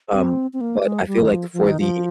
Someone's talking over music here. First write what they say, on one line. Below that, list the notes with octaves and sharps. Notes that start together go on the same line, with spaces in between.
Um, but I feel, like, for the
C4
C4
A#3
G#3
G3
D#3
F3
F3
D#3
F3